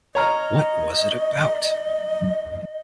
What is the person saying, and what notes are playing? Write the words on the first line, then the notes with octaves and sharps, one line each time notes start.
What was it about?
C#5 D#5 A#5 F6